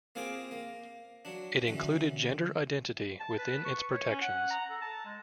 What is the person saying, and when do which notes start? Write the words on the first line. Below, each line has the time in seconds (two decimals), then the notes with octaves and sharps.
It included gender identity within its protections.
0.15 A#3 C4 F4 G#4 G5 D6
0.51 A#3
1.25 F#3 D4
1.67 F#2 D3 E3
3.20 A5
3.38 B4
3.65 C#6
3.91 C#5
4.08 C#4
4.21 F#5
4.51 A#5
4.70 A4
4.81 A5
5.05 G#3